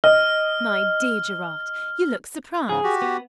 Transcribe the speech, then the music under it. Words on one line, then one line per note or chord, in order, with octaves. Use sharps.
My dear Gerard! you look surprised.
D#5 F6
G#2 C#3 G#4
F#4 G4
B3